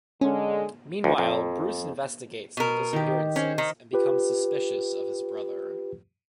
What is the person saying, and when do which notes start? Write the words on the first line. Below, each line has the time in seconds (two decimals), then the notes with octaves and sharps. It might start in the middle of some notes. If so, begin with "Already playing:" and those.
Meanwhile, Bruce investigates the disappearances and becomes suspicious of his brother.
0.21 D3 G#3 C#4
1.04 D2
1.18 F2
2.57 B2 A#4
2.93 D#3 G4
3.36 C#4 C5
3.58 D#3
3.93 F4 G4 B4